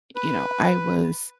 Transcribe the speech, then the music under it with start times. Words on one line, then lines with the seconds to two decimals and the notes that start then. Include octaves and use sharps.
you know, I was,
0.16 B4